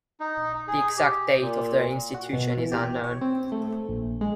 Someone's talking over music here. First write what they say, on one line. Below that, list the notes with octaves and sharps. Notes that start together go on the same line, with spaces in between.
The exact date of their institution is unknown.
D#4
G#4
G4
A#2
F#4
B2
E3
G4
C#5
C4
A3
A#1
G#3